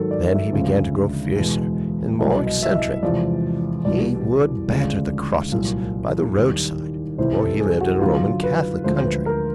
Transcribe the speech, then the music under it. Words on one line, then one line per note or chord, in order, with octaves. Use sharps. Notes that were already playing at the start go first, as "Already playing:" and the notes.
Then he began to grow fiercer and more eccentric; he would batter the crosses by the roadside; for he lived in a Roman Catholic country.
Already playing: G#2 D#3 F#3 A4 A#4
D5
E5
D2 C#3 F3 G#3
E2 B2 G#3
C2 B2 F#3 D#5
D#5
E5
D#5
E2 C3 F3 G#3 D5
C2 B2 G3 D5
D2 C#3 F3 G#3
C2 A#2 F#3
D#2 D#3 G3
C2 C3 E3 G3 C5
A4
G#4
F#4
F#2 D3 F#3 F4
B4
D2 D3 F3 G#3 C5
C5
B4
A#4